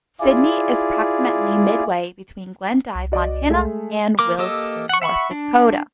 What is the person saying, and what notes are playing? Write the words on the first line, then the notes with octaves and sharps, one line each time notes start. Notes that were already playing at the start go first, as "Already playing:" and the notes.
Sidney is approximately midway between Glendive, Montana and Williston, North Dakota.
E4 F4 G#4 D5
C2
F#4 D5 D#5
G#3 A3 G#4
A#3 A#4 D6
A#3 G4 A4 D#5 E6
F#5 C#6
E5 F#5 B5 C#6
D4